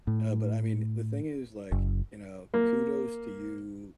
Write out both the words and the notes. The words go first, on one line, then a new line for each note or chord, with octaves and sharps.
No, but, I mean, the thing is, like, you know, kudos to you,
A2
F#1
A#3